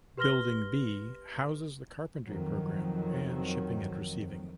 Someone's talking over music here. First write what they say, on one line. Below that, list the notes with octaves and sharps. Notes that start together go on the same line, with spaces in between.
Building B houses the Carpentry program and Shipping and Receiving.
G4 B4 C6 F6 A#6 G7
F2 D#3 F#3